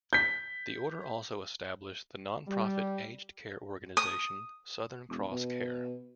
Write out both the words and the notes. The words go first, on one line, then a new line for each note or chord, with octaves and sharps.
The order also established the non-profit aged care organization, Southern Cross Care.
G6 B6
G3
D#6
E1
B2